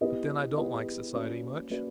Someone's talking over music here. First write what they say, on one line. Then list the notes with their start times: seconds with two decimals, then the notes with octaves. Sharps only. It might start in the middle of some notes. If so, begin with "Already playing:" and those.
But then, I don't like society--much.
0.01 B3 E4 G4 B4 D#5
0.57 B3 E4 G4 B4 D#5
1.14 A#3 C#4 F#4 B4 D5
1.70 A#3 C#4 F#4 B4 D5